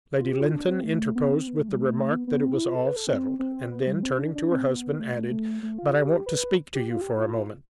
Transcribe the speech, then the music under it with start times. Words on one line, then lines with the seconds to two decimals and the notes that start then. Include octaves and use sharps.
Lady Lynton interposed with the remark that it was all settled; and then, turning to her husband, added: "But I want to speak to you for a moment."
0.20 F4
0.30 G4
0.41 F4
0.52 D4
0.68 C4
0.83 A3
1.15 B3
1.32 C4
1.47 B3
1.58 A3
1.69 G3
1.80 A3
2.11 B3
2.27 B3
2.43 C4
2.54 E4
2.65 F4
2.75 A4
2.86 B4
2.96 A4
3.07 C4
3.39 C4
3.71 B3
3.87 G3
4.03 C4
4.19 D4
4.35 D4
4.51 C4
4.67 B3
4.99 A3
5.15 A3
5.31 A3
5.63 A3
5.78 F4
5.94 G4
6.26 B4
6.75 G4
6.90 F4
7.01 G4
7.12 F4